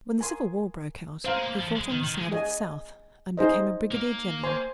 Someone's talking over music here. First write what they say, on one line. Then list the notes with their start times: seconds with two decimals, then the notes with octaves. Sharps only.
When the Civil War broke out, he fought on the side of the South and became a brigadier-general.
0.19 A#4 G#5 C6
1.24 C4 C5 F5 A#5
1.34 G#3
1.43 A#3
1.61 F3
1.78 G#3
1.91 D#3
2.04 D#3
2.18 G#3
2.31 G#4 D#5 G#5
3.37 D#4 G#4 C5 D#5
3.91 A#3
4.43 C5 G#5 C6